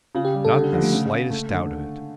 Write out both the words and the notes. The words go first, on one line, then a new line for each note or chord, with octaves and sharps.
"Not the slightest doubt of it."
C#3 F4
G4
G3
A4
D3 G4
D4
D3 F3
A3
C#3
C#3
A3
D3